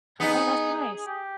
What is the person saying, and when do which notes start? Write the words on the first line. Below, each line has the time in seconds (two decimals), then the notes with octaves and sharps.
Oh, that's nice.
0.20 B3 D#4 G#4
1.06 G4